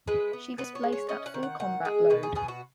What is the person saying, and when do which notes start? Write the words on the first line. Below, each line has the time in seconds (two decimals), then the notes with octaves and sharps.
She displaced at full combat load.
0.08 G#3 B4
0.33 B3
0.58 B3 B4
0.75 C#5
0.83 G#3
0.93 C#5
1.09 C#4 D#5
1.26 F#5
1.34 D#3
1.43 F#5
1.60 D#3 F#5
1.85 G#3 G#4
2.10 B2 B4
2.23 G#4
2.35 B2 G#4
2.48 F#4